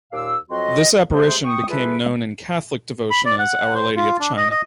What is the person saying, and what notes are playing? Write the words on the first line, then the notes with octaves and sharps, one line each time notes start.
This apparition became known in Catholic devotion as Our Lady of China.
D#2 A#2 F5 D6 E6
F2 F#3 C4 F#4 D#5 C6
C3 G#3 A3 G#4 C5
G5 C#6 D#6
E3 G3 F4 G#4 A4 B4
B5
D5
F#5
C5
F4
D4
D#5
D#5